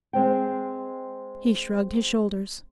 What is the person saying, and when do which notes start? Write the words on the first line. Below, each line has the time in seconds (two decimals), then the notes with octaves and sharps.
He shrugged his shoulders.
0.13 G#3 C4 G5